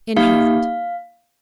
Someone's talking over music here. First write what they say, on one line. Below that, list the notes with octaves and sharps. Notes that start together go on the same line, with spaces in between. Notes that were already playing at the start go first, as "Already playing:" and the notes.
"In hand."
A#3 D#4 G4 F5